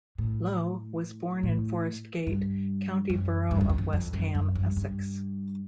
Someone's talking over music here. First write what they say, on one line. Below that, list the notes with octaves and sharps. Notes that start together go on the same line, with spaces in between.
Lough was born in Forest Gate, County borough of West Ham, Essex.
A2
A2
G2
F#2
G2
F#2
F2
F#2
F2
F#2
F#2
G2
G2